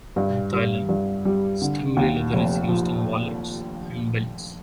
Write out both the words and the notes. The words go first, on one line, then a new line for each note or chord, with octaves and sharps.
In Thailand, stingray leather is used in wallets and belts.
G2
G2
G2
G3
D3
D#2
F1
F3